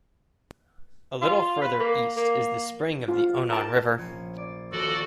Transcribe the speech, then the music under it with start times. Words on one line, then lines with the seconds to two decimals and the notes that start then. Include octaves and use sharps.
A little further east is the spring of the Onon River.
1.22 F4
1.61 B4
1.80 A#3
2.17 A#3
3.08 F4
3.49 A#4 G5 A5
3.98 A#1 C#4
4.37 D5
4.72 D#1 F#4 A4 D5